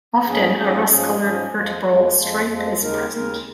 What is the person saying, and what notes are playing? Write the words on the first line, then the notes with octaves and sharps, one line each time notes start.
Often a rust-colored vertebral stripe is present.
G#2 F3 C#4 G#4
G#2 F3 C#4 G#4
G#2 F3 C#4 G#4
G#2 F3 C#4 G#4
F2 F3 G#3
F2 F3 G#3
F2 F3 G#3
F2 F3 G#3
D#2 C#3 G#3 D#4 A#4
D#2 C#3 G#3 D#4 A#4